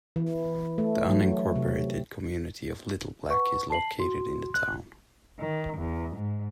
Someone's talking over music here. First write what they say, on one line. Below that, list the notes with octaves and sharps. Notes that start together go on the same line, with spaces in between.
The unincorporated community of Little Black is located in the town.
E3
A3
F#3
C3
B4 F#5 C#6
A5 C7 F#7
F#4 C6
F#6
D#3
E2
G#2